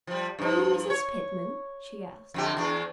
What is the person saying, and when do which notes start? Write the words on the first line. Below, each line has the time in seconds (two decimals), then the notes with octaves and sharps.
"Are you Mrs. Pitman?" she asked.
0.07 F3 G3
0.39 G2 F3
0.90 C#5
2.34 F2 D3 G4
2.57 E2 D4